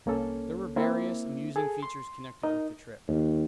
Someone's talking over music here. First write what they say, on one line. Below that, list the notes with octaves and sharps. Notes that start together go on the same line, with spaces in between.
There were various amusing features connected with the trip.
C2 A#3 C#4 A4
A#3 C4 E4 E5
G#4 A4
C6
D#4 A#4 D#5
D#2